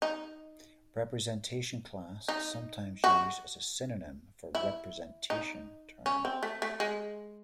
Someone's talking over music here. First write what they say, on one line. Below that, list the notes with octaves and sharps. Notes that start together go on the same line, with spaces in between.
Representation class is sometimes used as a synonym for representation term.
D#4
D#4
F#4
E4
D#4
C#4
C4
A3
A3
G#3